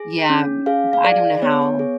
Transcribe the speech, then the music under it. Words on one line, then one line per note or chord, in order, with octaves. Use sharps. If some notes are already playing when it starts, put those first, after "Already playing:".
Yeah m I don't know how
Already playing: G#4
C#4
G#4 F5
F5
G#4 D5
B3 C#5
G#4